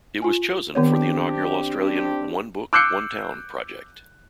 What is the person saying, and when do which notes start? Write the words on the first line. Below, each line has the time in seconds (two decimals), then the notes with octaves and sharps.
It was chosen for the inaugural Australian "One Book-One Town" project.
0.22 F4 G#5
0.75 D#3 B3 C4 D4 G4 C#5
2.73 D6 E6 F#6 G6 C7 C#7